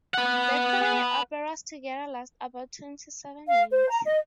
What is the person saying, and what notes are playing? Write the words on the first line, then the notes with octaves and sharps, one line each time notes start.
The three operas together last about twenty-seven minutes.
B4 F#5
F5
C5
A#5
D#5